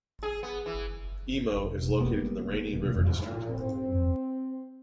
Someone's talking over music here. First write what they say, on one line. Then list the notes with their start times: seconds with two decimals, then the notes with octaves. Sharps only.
Emo is located in the Rainy River District.
0.23 G#4
0.43 B3
0.66 E3
2.00 G#3 A#3 B3 G4
3.51 C4